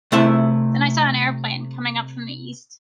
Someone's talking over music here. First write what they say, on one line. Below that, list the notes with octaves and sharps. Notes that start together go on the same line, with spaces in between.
Then I saw an aeroplane coming up from the east.
C3 A3 E4 E5